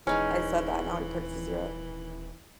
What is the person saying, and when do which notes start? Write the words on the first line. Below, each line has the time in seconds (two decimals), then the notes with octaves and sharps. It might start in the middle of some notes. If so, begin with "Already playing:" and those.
I said that, now he perks his ear up-
0.07 D#1 E3 G#3 C#4 D#4 A#4